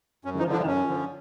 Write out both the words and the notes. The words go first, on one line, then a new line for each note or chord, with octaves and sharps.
what about you?
F#2 C#4
D#4
D3 F3
D4
F#2 C#4
D3 F3